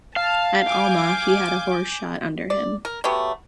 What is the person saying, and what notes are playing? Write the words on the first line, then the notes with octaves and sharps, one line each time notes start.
At Alma he had a horse shot under him.
F5 A5
G#5 D6 G6
D5
A#4
F#3 A3 B3 G4